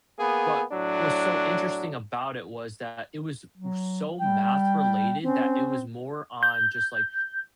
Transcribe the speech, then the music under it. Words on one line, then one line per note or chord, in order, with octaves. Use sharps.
but what's so interesting about it was that, it was so math related that it was more on just, like,
A#3 B3 G#4
A2 F#3 D4
F#3
G3 G5
C4 C#4
G6